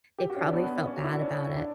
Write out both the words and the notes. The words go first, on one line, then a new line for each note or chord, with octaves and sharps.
they probably felt bad about it.
G4
F#4
C#4
D4
B3
B3
C#4
C#4
F#4
E4
D4
C#4
D4